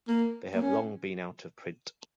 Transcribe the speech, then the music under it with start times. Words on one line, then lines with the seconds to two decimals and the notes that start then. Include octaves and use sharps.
They have long been out of print.
0.08 A#3
0.54 A#3
0.61 C#4